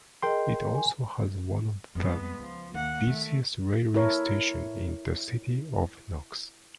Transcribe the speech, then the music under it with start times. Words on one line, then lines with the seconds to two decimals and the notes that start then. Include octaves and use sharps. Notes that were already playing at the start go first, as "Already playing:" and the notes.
It also has one of the busiest railway stations in the City of Knox.
0.22 G#4 A#4 D#5 G5 C6
0.75 G#5
1.95 F2 G3 G#3 B3
2.39 C#2 F3
2.74 D#2 A#3 F#5
3.07 D#3 A3
3.94 E4 A4 A#4 C#5